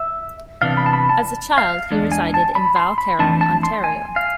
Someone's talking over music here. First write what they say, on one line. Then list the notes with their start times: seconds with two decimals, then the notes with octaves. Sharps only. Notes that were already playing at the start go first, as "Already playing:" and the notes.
As a child, he resided in Val Caron, Ontario.
Already playing: E5
0.62 C3 E3 B3 D4 F5
0.77 B5
0.86 A5
0.93 B5
1.09 A5
1.58 F5
1.91 E2 D3 G#3 D4
2.12 G#5
2.34 A5
2.55 B5
2.76 C6
2.98 B5
3.19 F2 E3 A3 D4 A5
3.41 A5
3.63 C6
3.84 G#5
4.16 F5